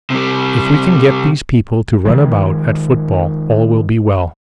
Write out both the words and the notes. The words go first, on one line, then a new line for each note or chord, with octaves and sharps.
If we can get these people to run about at football all will be well.
C3 G3
D#3 F3 G#3